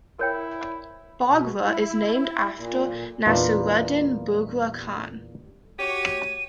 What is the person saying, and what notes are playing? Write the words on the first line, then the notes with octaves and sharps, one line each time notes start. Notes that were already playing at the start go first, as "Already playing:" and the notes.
Bogra is named after Nasiruddin Bughra Khan.
E4 A#4 C#5 G5
B2
E4
A#2
E2 A#2 D4 D#4 F4 B4
F#4 G4 C#5 D#7